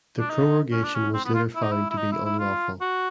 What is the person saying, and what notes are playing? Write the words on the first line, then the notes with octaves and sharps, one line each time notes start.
The prorogation was later found to be unlawful.
D4
D#4
C#4
D4
C#4
C4
B3
F4
E4
D#4
E4
E4
D#4
E4
E4
F4
F#4